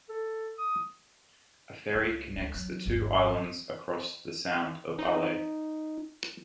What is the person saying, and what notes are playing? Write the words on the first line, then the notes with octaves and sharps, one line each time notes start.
A ferry connects the two islands across the Sound of Islay.
A4
D#6
C#2
D2 A#3
F#3
G#1 E2
D#4